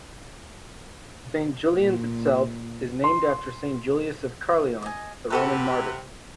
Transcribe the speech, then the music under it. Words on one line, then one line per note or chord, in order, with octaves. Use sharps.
Saint Julian's itself is named after Saint Julius of Caerleon, the Roman martyr.
A#2
C6
D#5 G#5
C3 F#4 A4 B4